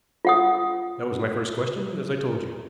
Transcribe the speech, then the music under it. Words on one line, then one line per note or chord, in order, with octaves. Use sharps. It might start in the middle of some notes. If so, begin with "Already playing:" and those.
That was my first question, as I told you.
F4 F#5 D#6